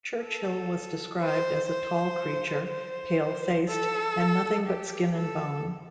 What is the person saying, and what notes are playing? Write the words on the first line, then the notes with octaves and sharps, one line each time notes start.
Churchill was described as a tall creature, pale-faced, and nothing but skin and bone.
A4
C5
C5
C5
A4
G4
A4